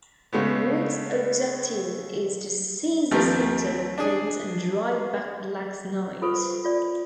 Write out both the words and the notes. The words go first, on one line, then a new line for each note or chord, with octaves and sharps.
White's objective is to seize the center with pawns and drive back Black's knights.
C#3 G#3 A3 B3
D#2 F3 A3 C4 G4
D4 G#4
F4 A4 B4 C5 C#6
F4 D5